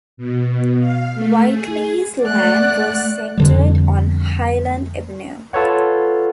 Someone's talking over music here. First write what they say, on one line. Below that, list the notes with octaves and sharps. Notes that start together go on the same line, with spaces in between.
Whitley's land was centered on Highland Avenue.
B2
F5
A3
G#4
A3 D5 F#5 F#6
F2 D3 G3
F4 A4 B4 C#5 F#5